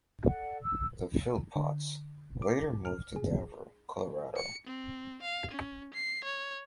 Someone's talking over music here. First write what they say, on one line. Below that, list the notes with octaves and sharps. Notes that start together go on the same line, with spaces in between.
The Philpotts later moved to Denver, Colorado.
A4 D5 F#5
E6
D3
D6
F6
G#4
C#7
C4
F5
C#4
C7
C#5